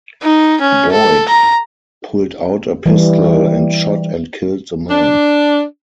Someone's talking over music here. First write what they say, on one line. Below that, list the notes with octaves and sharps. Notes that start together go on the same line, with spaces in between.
Boyd pulled out a pistol and shot and killed the man.
D#4
C#4
A4
A#5
E3 G3
D4